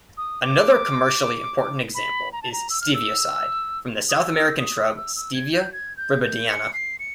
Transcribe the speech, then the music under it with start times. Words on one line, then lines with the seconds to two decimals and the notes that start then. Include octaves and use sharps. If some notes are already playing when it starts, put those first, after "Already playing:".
Another commercially important example is stevioside, from the South American shrub "Stevia rebaudiana".
0.18 D#6
0.43 D6
1.95 B5
2.33 A#5
2.42 A5
2.52 A#5
2.70 E6
2.81 F6
2.94 E6
4.09 D#6
4.21 E6
4.59 D#6
4.97 E6
5.16 E6
5.34 G#6
5.53 G6
5.73 G#6
5.97 G6
6.23 G6
6.49 C#7
6.74 C7
6.99 C#7